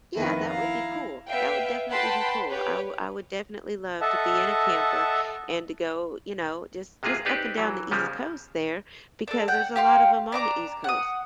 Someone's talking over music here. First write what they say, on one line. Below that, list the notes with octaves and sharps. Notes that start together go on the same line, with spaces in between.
Yeah, that would be cool. That would definitely be cool. I wou I would definitely love to be in a camper and to go, you know, just just up and down the East Coast, there, because there's a lot of 'em on the East Coast.
F2 D#3 A#3 B3 E4 B4
E4 F5 A#5
B3 E5 F5 G5
B4 F#5 G5 A5 B5 C6
G4 B4 C#5
A4 D#5 E5 F#5 A5
C3 G#3 A#3 F4 G#4 B4
C4 D4 D#4 G4 B4
E3 F#3
C#3 F3 G3 G#3 B3
D4 A4
F#5 G5
G4 F5 C6
D4 A#5 D6
F#5 D#6